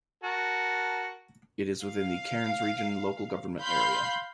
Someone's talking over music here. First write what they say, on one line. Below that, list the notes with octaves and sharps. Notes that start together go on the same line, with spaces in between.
It is within the Cairns Region local government area.
F#4 A#4 A5
F5
F5 B5 C6 G6